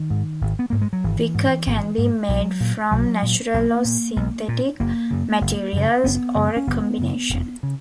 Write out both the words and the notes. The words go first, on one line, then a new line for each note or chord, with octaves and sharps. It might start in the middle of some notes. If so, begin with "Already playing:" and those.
Wicker can be made from natural or synthetic materials, or a combination.
Already playing: D#3
G#2
G#1
B3
G#2 A#3
G#3
F#3
G#1 E3
G#2
G#1
G#2
B1 F#3
A#2
B1 F#3
A#2
B1 A#3
A#2
B1
A#2
F#1 A#3
F#2 C#3
F#1
F#2 C#3
F#1 B3
F#2 C#3
C#4
F#1 B3
F#2 C#3
E1
C#3